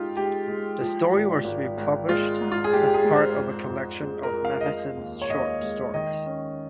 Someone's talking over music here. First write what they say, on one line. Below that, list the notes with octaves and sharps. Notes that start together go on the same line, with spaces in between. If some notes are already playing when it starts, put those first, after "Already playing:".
The story was republished as part of a collection of Matheson's short stories.
Already playing: G#3 D#4 F4 G4
G#3 G4
G#3
F3
G#1
G#1
G#1
G#3 F4
G#2
F4
G#4
G#3 G4
G4
G#4
G#2
C5
F2
F2
G#3
A#4
F2
F5
D#5
G#3 F5
D#2
C#5
D#2 D#5
G#3
D#3 D#5
C#4